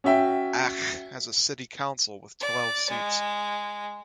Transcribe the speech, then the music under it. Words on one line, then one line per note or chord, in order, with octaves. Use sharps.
Aach has a city council with twelve seats.
C#4 F#4 E5 G5
D5
G#3